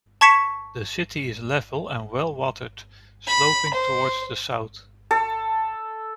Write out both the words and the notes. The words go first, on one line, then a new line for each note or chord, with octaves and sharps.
The city is level and well-watered, sloping towards the south.
A5 C#6 G#6 B6 C#7 E7
B5
C5
A4